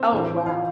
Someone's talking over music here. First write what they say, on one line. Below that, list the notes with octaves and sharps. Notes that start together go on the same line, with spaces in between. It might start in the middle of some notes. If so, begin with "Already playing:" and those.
Oh, wow.
Already playing: C4 C5
A2 E3 A3
F4 F5